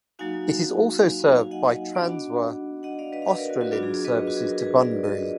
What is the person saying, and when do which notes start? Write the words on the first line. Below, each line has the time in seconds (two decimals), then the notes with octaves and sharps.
It is also served by Transwa "Australind" services to Bunbury.
0.19 F#3 A#3 D#4 F#4 F5 G#5
1.07 F5 G#5
1.29 F5 G#5
1.51 D#5 F#5
1.95 B3 D4 F#4
2.83 D#5 F#5
2.99 D5 F5
3.12 B4 D#5
3.22 F5
3.28 B4 D#5
3.38 A#4 D5
3.49 F#4 A#4
3.61 F#4 A#4
3.71 F#3 B3 D4 F4 F#4
3.83 G#4
3.94 G#4
4.05 B4 D#5
4.16 G#4
4.27 F#4
4.37 G#4
4.49 F#4 A#4
4.60 G#4 B4
4.82 A#4 D5
5.04 B4 D#5